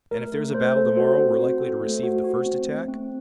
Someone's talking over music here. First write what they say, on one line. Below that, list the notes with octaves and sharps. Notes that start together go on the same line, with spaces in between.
"And if there's a battle to-morrow we're likely to receive the first attack?"
A3 A#4
A3
A3 C5
A4
F#4 C5
C4
F#4
A4
A3
F#4
F#4
C4
A3
C4